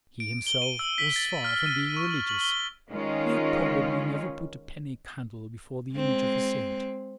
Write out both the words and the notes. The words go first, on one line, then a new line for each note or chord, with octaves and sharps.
He himself was far from being religious; he had probably never put a penny candle before the image of a saint.
D7
G7
D#7
E6
B6
A6
F6
D#7
C#6
F#7
F#7
G7
D#3 G#3 C#4 F4
G#3 C4